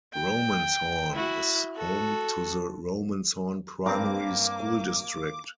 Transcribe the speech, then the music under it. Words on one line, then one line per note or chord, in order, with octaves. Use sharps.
Romanshorn is home to the Romanshorn primary school district.
G5
E4 F#4
F#4 A4
G2 A#3 C4 A#4 D6